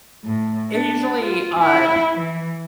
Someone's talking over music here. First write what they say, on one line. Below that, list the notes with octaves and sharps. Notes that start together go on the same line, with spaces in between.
it usually, uh,
A2
D4
F4
E4
E3